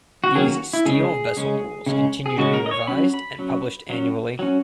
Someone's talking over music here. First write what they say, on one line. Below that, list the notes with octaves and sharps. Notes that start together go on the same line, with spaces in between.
These Steel Vessel Rules continue to be revised and published annually.
F#4
D#3 F#3 A#3 C#4 G#4
F#4
E4
C#3 G#3 C#4 G#4
C#3 G#3 C#4
C#3 G#3 C#4
G#4
C#3 G#3 C#4 F#4
A#4
D#5
C#5
F#3 C#4 B5
B5
F#3 C#4
F#3 C#4
F#3 C#4